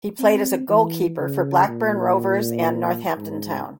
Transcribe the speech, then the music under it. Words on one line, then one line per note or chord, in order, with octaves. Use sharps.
He played as a goalkeeper for Blackburn Rovers and Northampton Town.
C4
E3
C#3
A#2
G#2